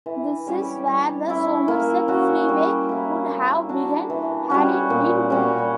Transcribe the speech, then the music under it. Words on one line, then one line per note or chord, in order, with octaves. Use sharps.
This is where the Somerset Freeway would have begun had it been built.
E3
G3 C#4 G4
G3
C#4 E4
A#3
C#4 F#4
G3
A#3 E4
A#3
D4 F#4
E3
G3 C#4 F#4
A#2
G3 C#4 F#4